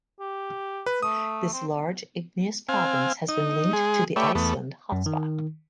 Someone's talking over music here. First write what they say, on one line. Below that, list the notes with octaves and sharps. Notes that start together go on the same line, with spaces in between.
This large igneous province has been linked to the Iceland hotspot.
G4
B4
A3 D#6
C4
C4 F5 G#5
D#4
G#3 G#4
A3 G4 B4 C#5 D5 E5
E2 A3 B3
F#2
D#3